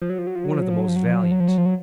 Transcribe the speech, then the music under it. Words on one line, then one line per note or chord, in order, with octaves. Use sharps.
One of the most valiant.
F3
F#3
F3
F#3
F3
F#3
F3
F#3
F3
F#3
F3
F#3
F3
F#3
F3
F#3
F3
F#3
F3
F#3